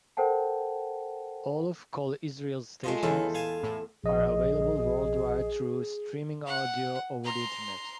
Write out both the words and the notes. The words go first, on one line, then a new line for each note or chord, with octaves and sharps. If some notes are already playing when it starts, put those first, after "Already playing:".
All of Kol Israel's stations are available worldwide through streaming audio over the Internet.
A4 A#4 C5 F#5 G5 A5
G#3 A3 F4 D#5
E2 C#3 E3 F4 A4
F5 G#5 A5
A2
A#1 G#4 D#5
F#5
A#5 C6